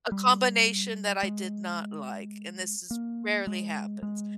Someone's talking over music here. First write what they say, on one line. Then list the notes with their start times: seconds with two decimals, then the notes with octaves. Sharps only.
a combination that I did not like and this is rarely happens.
0.12 G3
1.23 G#3
2.91 A#3
3.47 G#3
4.03 G#3